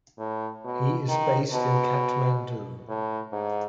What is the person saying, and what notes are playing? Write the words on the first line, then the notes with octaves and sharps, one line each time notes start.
He is based in Kathmandu.
A2
B2
D#3
B2
A2
G#2